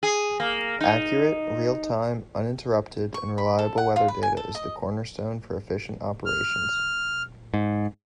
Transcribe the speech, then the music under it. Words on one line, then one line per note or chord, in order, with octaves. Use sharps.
Accurate, real-time, uninterrupted and reliable weather data is the cornerstone for efficient operations.
G#4
A#3
D#4
C#6
B5
A4
F#5
F4
B4
G#5
A4
D#5
F6
G#2